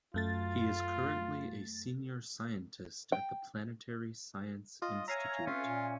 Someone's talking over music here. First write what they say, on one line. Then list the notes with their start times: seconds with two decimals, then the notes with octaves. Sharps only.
He is currently a senior scientist at the Planetary Science Institute.
0.14 F#2 A3 F4 A6
3.12 G5
4.82 F4 D#5
5.08 C#5 E5 F5 G#5 A#5
5.47 C4 C#4 F4 A4 B4
5.65 A#2